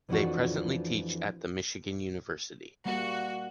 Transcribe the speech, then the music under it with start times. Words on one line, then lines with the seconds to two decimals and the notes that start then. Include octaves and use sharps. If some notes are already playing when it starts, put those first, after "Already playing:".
They presently teach at the Michigan University.
0.09 F2 E3 F3 A3 D4 F#4
2.86 G3 A#3 F#4